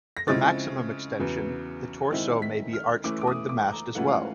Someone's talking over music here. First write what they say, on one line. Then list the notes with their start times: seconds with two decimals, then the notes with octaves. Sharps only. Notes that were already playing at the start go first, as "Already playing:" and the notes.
For maximum extension, the torso may be arched toward the mast as well.
0.17 A#6
0.27 C#3 F3 G#3 C4 E4 A6
1.19 E2 C#3 F#3 B3
2.11 D#3 G#3 C4 E4
2.42 B6
2.73 F6
3.04 E3 A3 C#4 E4 D6
3.21 D6
3.27 D#6
3.49 D6
3.72 A#5
3.95 G#2 E3 A3 C#4 F4 F#5
4.08 F5